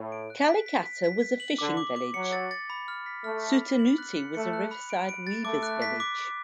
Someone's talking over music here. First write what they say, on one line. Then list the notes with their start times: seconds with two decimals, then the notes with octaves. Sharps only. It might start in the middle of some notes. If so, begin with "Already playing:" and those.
Kalikata was a fishing village; Sutanuti was a riverside weavers' village.
Already playing: A2
0.12 D7
0.30 F#6
0.49 B6
0.66 B6
0.85 B6
1.04 B6
1.22 B6
1.40 F#7
1.58 D3 D6
1.77 D6
1.96 D6
2.14 F#3 C#7
2.33 A6
2.51 A6
2.70 B5
2.88 F6
3.06 B6
3.24 A3 F6
3.42 B6
3.61 B5
3.79 F#7
3.98 F#6
4.16 C#7
4.35 A3 C#7
4.53 F#6
4.71 B5
4.90 D7
5.09 D7
5.27 A6
5.44 A3 D6
5.63 F#6
5.82 B6
6.00 D6
6.18 D6